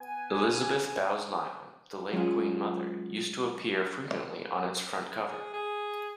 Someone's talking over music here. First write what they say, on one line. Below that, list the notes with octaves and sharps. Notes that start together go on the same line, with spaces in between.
Elizabeth Bowes-Lyon, the late Queen Mother, used to appear frequently on its front cover.
B3 B4 G#5
F#3 G#3 C#4 F4 G#4
G#4
G#4